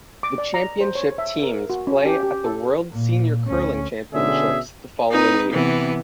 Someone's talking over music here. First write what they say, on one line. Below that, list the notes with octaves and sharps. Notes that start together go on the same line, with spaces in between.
The championship teams play at the World Senior Curling Championships the following year.
D6
D5
A#5
C5
C#5
E5
A#4
F#4
C#4
G4
G4
A4
A#2
D2 C#4
B2 D3 C#4 G#4 E5
C4 D#4 B4
C3 E3 B3